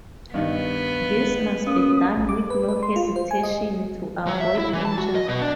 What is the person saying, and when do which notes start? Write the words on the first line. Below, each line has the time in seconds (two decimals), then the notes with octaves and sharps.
This must be done with no hesitation, to avoid injury.
0.34 G2 D#3 B3 D#4
1.67 A#3 C#4 D#6
2.17 A1
2.29 D6
2.50 B4
2.69 B4
2.83 C6
2.96 F4
3.16 C5
3.31 G#5
3.43 D#5
4.26 F#3
4.40 E5
4.58 E4
4.73 E3
4.85 A5
4.98 F#4
5.15 D#5
5.28 B2
5.41 D4